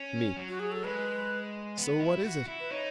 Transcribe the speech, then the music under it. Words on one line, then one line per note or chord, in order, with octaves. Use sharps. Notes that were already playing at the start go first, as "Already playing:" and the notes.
ME: So what is it?
Already playing: C#4
F#3
F#4
G#4
A4
G#3 B4
B3
E4
F#4
E4
B4
D#4 C#5